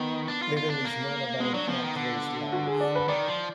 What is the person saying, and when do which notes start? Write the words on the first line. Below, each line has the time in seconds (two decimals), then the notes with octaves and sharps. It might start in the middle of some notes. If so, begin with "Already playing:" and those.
Little is known about Hathwaye's life.
Already playing: D#3 B3
0.28 D4
0.42 F4
0.57 F4
0.70 D4
0.85 A#3
1.40 G#3 B3
1.54 F#3 D4
1.67 F3 B3
1.83 D#3
1.96 D3
2.52 F#4
2.67 G#4
2.80 D5
2.95 B4
3.08 D#3 D5
3.28 F3